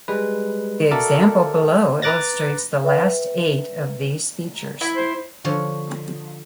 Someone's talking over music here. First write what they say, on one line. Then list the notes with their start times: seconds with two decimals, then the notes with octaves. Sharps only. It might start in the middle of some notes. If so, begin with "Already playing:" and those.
The example below illustrates the last eight of these features.
0.08 G3 G#3 B4
0.91 F#4 A4 A#4 D5 E5
2.02 B4 A#5 D6 F#6 A6 A#6
2.84 B4 E5 G5
4.81 E4
4.96 C5
5.45 D3 F3 C#5